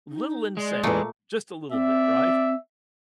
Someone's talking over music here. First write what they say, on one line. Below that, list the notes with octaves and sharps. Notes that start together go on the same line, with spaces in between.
Little insane, just a little bit, right?
D#4
G#3 D5
E2 A#2 E3 A3
C4 D5 E5